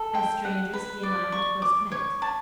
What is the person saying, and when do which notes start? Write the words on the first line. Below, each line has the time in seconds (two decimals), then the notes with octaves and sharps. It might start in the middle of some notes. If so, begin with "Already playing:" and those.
As strangers he and I had first met.
Already playing: A4
0.15 G5
0.45 F#5
0.73 B4
1.03 D5
1.32 C#6
1.62 D6
1.92 C#5
2.22 A5